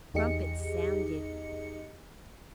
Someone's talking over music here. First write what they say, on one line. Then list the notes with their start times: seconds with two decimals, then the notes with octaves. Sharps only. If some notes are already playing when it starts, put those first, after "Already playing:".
Trumpets sounded.
0.14 E2 D#4 G4 G#4 D#5 C#7